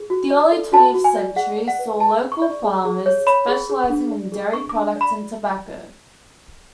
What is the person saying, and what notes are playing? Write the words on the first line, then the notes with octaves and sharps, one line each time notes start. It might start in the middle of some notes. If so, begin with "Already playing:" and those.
The early twentieth century saw local farmers specializing in dairy product and tobacco.
Already playing: G#4
F#4
D5
A4
F#4 A5
F#4
G#5
D5
G#4 F#5
D5
F#5
B4
G#4 A5
G#4
C#6
D5
G#4
G#4
C#5
C#5 B5
G#4
G#4
D4
D5
G#4
D4 C#6
D6
D4
D5
B5